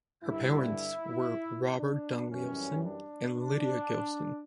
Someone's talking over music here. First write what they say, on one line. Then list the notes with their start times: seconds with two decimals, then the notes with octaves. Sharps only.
Her parents were Robert Dunn Gilson and Lydia Gilson.
0.24 G2 D3 G3 E4
1.79 D4
2.30 F#2 E3 G3 C#4
2.83 D4
3.33 D4